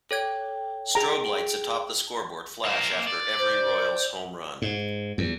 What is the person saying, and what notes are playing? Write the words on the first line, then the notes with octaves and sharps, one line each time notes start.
Strobe lights atop the scoreboard flash after every Royals home run.
A4 C#5 G5 G#6
G#4 A#5 D7
A#3 C5
D5
C5
G#2
E2